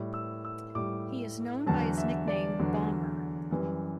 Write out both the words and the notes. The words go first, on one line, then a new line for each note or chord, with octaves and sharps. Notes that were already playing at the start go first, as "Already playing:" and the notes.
He is known by his nickname "Bomber".
Already playing: A2 G3
E6
E6
A2 G3 D6
E2 D3 F#3 A5
E5
D5
E2 D3 F#3
F#2 E3 G3